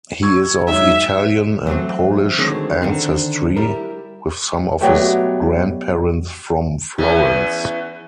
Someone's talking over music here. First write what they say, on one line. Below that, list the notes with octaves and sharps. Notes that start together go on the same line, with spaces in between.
He is of Italian and Polish ancestry with some of his grandparents from Florence.
C#6 E6 G#6
G#2 F#3 D#4 E5
E3 F#3 A3 C4
D3 D#3 F#3 G#3 A3 C4
D3 D#3 C4
G3 E4 A#4
B2 F#3 G3 A3
E2 C#4